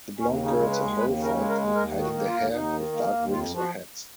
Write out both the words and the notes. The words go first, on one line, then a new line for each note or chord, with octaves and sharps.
The blonde girls are horrified; hiding their hair with dark wigs or hats.
D#2 C#4
C#3
D#4
G#3
B4
D#2
D#2 B4
C#3
A#4
G#3
A#4
D#2
D#2 A#4
D#3
F#4
A#3
F4
D#2
D#2 D#4
D#3
A#3
D#2
F2 F4
F3
F#4